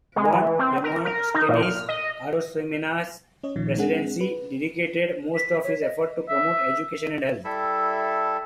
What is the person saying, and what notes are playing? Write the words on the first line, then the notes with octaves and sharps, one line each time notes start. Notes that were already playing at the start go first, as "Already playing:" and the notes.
Juan Demostenes Arosemena's Presidency dedicated most of his efforts to promote education and health.
G#3
E3
C4
A#4
A#4
D#4
A#2
F6
D#5
C#4 C#5 D#5
A#1 A#2 D#3 F3
G#3 C4 D4 G#4 F#5
B4
B6
C#5
D#5
E5
G3 E4 A4 E5